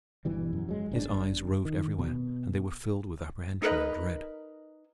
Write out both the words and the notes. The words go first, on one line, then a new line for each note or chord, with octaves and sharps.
His eyes roved everywhere, and they were filled with apprehension and dread.
G1 B2 E3 G3
F#2
F#3 G#3
G1 C4 D4
D#3
B2
D#4 A#4 B4 D#5